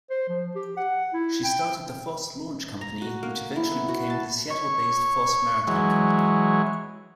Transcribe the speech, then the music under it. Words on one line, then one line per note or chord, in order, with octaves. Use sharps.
She started the Foss Launch Company, which eventually became the Seattle-based Foss Maritime Company.
C5
F3
G4
F#5
E4
G5
A#5
F#4
A#3
E4
B3
F#4
A5
C#5 C#6
E3 F#3 G#3 C#5